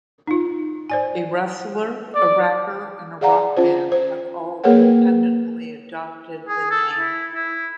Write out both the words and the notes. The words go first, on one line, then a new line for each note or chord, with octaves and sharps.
A wrestler, a rapper, and a rock band have all independently adopted the name.
D#4 F4
C5 D5 G#5
D5
G#4 D5 F5 F#5 A#5
C#4 F4 C5
C5
A#3 G#4 A#4 B4 C#5 F#5
G#4
A4
E4
E4